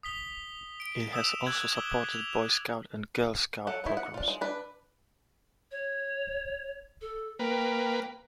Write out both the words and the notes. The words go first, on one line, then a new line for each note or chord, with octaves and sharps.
It has also supported Boy Scout and Girl Scout programs.
D#6 B6 G7
D7
D#6 E6 E7 F7
E6 F#6 G#6 F#7
D6 E6 G7
F7
F#3 A4 F#5
B3 D#4 E4
F#5
D4 F4
G#3
D4 B4
C#5
A4
A#3 B4 G5